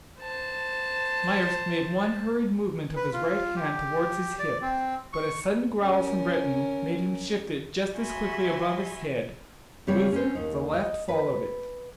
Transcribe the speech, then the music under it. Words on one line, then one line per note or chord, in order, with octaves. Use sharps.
Myerst made one hurried movement of his right hand towards his hip, but a sudden growl from Breton made him shift it just as quickly above his head, whither the left followed it.
C5 A5
B4
F4
G4
D5
C4
C#6
C#4 A#4
F#4 E5 G#5 B5 C6
C#3 G3 C4 G4 C#5
C#4 C5
D#2 D#4
D#5
B4